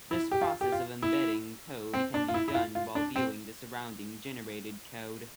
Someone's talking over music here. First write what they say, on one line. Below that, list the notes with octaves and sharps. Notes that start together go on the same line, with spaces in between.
This process of embedding code can be done while viewing the surrounding generated code.
E4
G4
F4
G4
F4
E4
C4
D4
F4
E4
E4
F4
F4
D4
C4